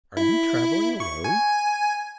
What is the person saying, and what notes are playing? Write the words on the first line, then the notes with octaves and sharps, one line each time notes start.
"Are you traveling alone?"
E4
C#6
G#5